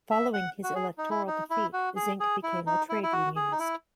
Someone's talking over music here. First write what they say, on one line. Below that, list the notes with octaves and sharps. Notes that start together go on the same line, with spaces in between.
Following his electoral defeat, Zinck became a trade unionist.
E5
F#5
F#4
G#4
D#4
E4
D#4
E4
F#4
G#4
G#4
E4
D#4
E4
E4
F#4
G#4
D#4
E4